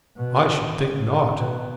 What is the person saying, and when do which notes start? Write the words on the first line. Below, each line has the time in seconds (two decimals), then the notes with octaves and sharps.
"I should think not."
0.16 B2
0.97 A2
1.37 B2